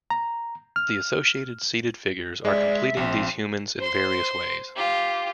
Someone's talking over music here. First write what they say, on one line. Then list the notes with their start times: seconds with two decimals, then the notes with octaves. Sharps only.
The associated seated figures are completing these humans in various ways.
0.10 A#5
0.76 F6
2.45 G#3 D5 E5
2.97 A#1 C4
3.78 C5 C6
4.76 F4 G4